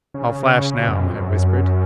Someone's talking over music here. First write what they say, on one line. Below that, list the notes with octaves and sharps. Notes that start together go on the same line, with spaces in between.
"I'll flash now," I whispered.
C#3
B2
F#2
F2
F#2